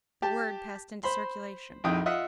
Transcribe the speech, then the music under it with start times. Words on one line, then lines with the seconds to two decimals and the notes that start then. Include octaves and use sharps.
The word passed into circulation.
0.22 G4 A5
1.03 C5 B5 C6
1.84 A#1 F2 D#4 E4 G5 D#6
2.06 F4 D#5 E5 F#5